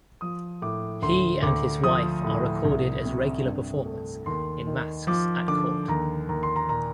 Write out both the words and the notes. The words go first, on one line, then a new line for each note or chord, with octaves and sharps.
He and his wife are recorded as regular performers in masques at court.
F3 D#6
A2 D6
D2 C6
D2 D6
F3 D#6
A2
C2
C3
G2
A3
D#2 C6
D#3
F3 D6
D3 D6
D#2 A#5
D#2 A#5
C6
A#5
A#2 A#5